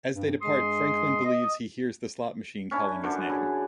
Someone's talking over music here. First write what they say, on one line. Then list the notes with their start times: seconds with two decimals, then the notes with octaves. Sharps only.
As they depart, Franklin believes he hears the slot machine calling his name.
0.14 G2
0.41 G2 G#3 G#4 C6 D#6
1.24 D#5
2.71 C#4 D4 E4
3.04 F#2 D3 D4
3.29 E4 G#4